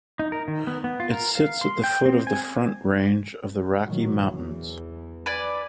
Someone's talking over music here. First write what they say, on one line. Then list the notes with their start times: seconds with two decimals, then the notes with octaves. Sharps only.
It sits at the foot of the Front Range of the Rocky Mountains.
0.19 D#4
0.32 A#4
0.48 D#3
0.67 B3
0.84 B3
1.00 F4
1.11 A#4
1.35 F5
1.61 C6
1.84 G5
2.06 C4
2.27 G#5
3.85 A#2 D#3 F#3
4.32 E2 E3
5.26 B4 D5 G#5